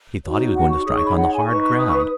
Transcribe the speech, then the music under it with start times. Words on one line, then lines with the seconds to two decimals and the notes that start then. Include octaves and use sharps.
He thought he was going to strike on the hard ground.
0.25 D#4 F#4 C#5
0.55 F#5
0.71 C#6
0.86 D#4 G#4 C#5 D#6
0.96 C#6
1.06 B5
1.16 F#5
1.32 G#5
1.47 D#4 B4 C#6
1.61 C#6
1.78 D#6
1.88 C#6
1.98 D#6